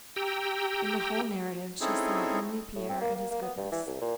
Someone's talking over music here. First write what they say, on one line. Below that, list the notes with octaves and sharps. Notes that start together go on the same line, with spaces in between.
In the whole narrative she saw only Pierre and his goodness.
G4 G5 A#5 E6
C4 C#4 D#4 E4 G#4 A4
A2
C4
A#3
A#3
A#3
B3
G2
E3
C2
A#2